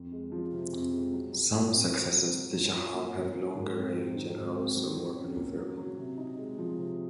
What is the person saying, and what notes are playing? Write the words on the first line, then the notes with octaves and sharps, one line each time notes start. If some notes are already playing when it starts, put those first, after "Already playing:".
Some successors to the Shahab have longer range and are also more maneuverable.
Already playing: F2
G#3
F3
C3
F2
G#3
F#3
F#3
F4
C4
F#3
F#3
F#3
F#3
F4
A#3
F#3
F#3
G#2
C4
F#3
D#3
G#2
C4
F#3
F#3
C#4
A#3
F#3
F#3
C3
D#4
G#3
F3
C3